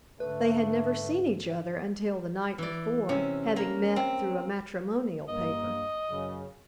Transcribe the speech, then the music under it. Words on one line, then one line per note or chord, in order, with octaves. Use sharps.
They had never seen each other until the night before, having met through a matrimonial paper.
G#2 D3 A3 B4
E3 D5
C3 C#4
A#3
C4
G2 A#3 D#5
F#2 C#3